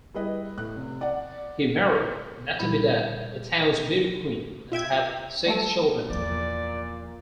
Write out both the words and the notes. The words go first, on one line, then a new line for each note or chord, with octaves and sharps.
He married Natividad, a town's beauty queen and had six children.
G3 E4 G#4 B4 D#5
A2 F#6
F1
D5 F#5
A#2 G3 E4 B5
F4 E5 G5 G#6
G3 A3 A4
E2 A#2 F3 D5